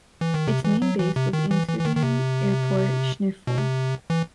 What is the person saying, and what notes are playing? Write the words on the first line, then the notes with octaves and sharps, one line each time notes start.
Its main base was Amsterdam Airport Schiphol.
E3
D#3
C3
E3
F#3
E3
C3
D#3
E3
E3
E3
D#3
D#3
C3
B2
C3
E3